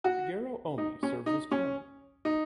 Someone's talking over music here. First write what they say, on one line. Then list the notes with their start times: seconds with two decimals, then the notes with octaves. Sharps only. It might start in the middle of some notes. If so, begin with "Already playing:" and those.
Shigeru Omi serves as chairman.
0.04 F#4
0.78 D#4
1.03 C#4
1.26 D#4
1.52 C#4
2.25 D#4